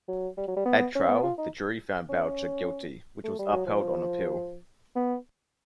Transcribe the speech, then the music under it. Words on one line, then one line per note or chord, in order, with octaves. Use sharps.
At trial, the jury found Boucher guilty, which was upheld on appeal.
F#3
G3
F#3
G3
B3
C#4
B3
F4
D#4
C#4
A3
G3
F#3
F3
B3